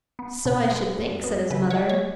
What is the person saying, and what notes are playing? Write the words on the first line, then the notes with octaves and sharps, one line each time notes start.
"So I should think," said his mother.
B3
B2
G#3
F#2
B3
C#3 B4
C#5
G#3
C#5